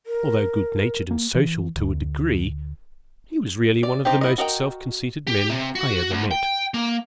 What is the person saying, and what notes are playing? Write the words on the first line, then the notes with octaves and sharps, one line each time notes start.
Although good-natured and social to a degree, he was really one of the most self-conceited men I ever met.
A#4
A#3
E3
D2
D5
C4 D#4 G4
B3 E4 D#5
F#4 A#4 D#5 F#5 G5
G4
C3
F#4
D2
G5
A#3